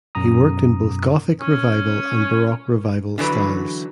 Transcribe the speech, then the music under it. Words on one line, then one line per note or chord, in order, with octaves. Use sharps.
He worked in both Gothic Revival and Baroque Revival styles.
F#2 B2 A#5 D#6
C#4
D3 E3 F#3 B4